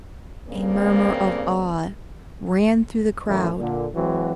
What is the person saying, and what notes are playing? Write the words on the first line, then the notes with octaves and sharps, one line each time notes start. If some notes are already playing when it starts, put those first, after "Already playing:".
A murmur of awe ran through the crowd.
G2 C#3 A#3 C4 D5
F#2 A2 E3
A#2 D3
E3 F#3 G#3 C4 F#4